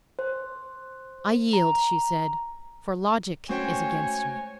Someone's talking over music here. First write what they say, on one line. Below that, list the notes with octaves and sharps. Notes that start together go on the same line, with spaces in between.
"I yield," she said, "for logic is against me."
C5
A#5
G#3 A3 C#4 F#4 C5 C#5 G5 G#5